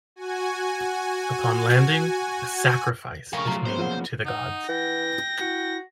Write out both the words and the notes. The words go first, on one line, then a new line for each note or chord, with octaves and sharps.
Upon landing, a sacrifice is made to the gods.
F#4 G#5
F2 A3 G#4 A#4 F5 G5 C#6
F3 F#3 A3 F4 A#5
A#3 B3 C#4 C5
F3 F4 G#4 A#4 F#5
D#4 F#5
E3 G5 A#6
E4 F#4